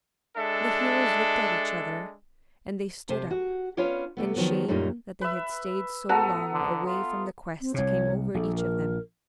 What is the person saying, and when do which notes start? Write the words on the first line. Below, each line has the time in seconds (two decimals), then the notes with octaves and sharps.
The heroes looked at each other, and they stood up, and shame that they had stayed so long away from the quest came over each of them.
0.37 G#3 D4 A4 E5
3.09 C3 C5 A5
3.31 F#4
3.77 B3 C#4 D4 F4 C#5 D5
4.17 C3 A3 B3
4.36 D#3 F3 F#3 B3
4.68 F#2 A#2 G3 D#4
5.21 B4 E5
6.09 A2 B3 F#4 A4 A5 A#5
6.53 D3
6.87 F4
7.60 C4
7.74 C2 C3 C#5
8.34 A#1 A4
8.55 A#4